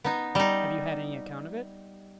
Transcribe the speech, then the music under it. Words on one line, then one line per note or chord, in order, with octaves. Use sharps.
"Have you had any account of it?"
B3 D#4
G3 D#4